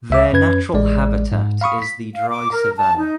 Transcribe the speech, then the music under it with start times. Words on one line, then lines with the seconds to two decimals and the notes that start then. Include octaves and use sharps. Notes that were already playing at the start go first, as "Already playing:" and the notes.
Their natural habitat is the dry Savannah.
0.10 C#2 E5 D6
0.32 F#2 C#4 B4 G#6
0.74 A1 G#3 D5
1.32 G#2
1.61 F5 B5 C#6 D#6
1.82 B6
2.14 F5
2.28 D6
2.52 A#4
2.77 A5
2.96 D#4